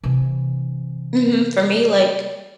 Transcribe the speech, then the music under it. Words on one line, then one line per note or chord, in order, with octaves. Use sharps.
Mhm, for me, like
C3 E3